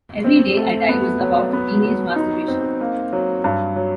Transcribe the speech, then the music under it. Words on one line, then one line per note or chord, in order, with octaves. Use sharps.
"Every Day I Die" was about teenage masturbation.
C4
A3
B3
F#3
B3
F#3
D#4
C4
A#3
F#3
G2
F#3